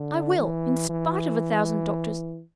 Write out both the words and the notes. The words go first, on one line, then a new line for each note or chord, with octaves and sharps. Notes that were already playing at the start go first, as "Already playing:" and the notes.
I will, in spite of a thousand doctors.
Already playing: D3
E3
E3